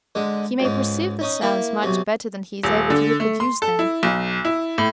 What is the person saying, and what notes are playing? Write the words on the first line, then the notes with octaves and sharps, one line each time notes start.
He may perceive the sounds much better than he is able to reproduce them.
D3 G#3
C#2 G#2
C#4 D#4
A#3 E4 C#6
B1 C3
D#1
D3
A3
C6
A4
E4
B1
E4
A2